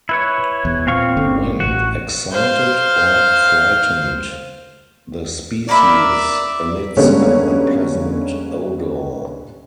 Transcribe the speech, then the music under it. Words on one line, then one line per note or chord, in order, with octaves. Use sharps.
When excited or frightened, the species emits an unpleasant odor.
E4 B4 C#5
E1 E2
A#2 C4 F5 C#6
G1 D3 C#4
A1 F#4
C5 F5
A#3 D5 E5 B5
D3 G3 G#3 A#3 B3 C#4